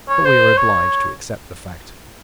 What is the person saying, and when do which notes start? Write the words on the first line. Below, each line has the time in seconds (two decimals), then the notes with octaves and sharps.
But we are obliged to accept the fact.
0.09 C#5
0.25 C5
0.57 C#5